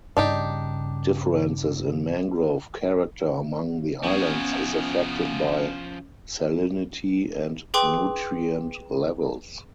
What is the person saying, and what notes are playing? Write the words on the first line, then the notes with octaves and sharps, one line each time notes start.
Differences in mangrove character among the islands is affected by salinity and nutrient levels.
G2 C#3 D4 D#4 G4
F3 B3 C#4 G#4
G#4 B4 G5 C6 D6 F#7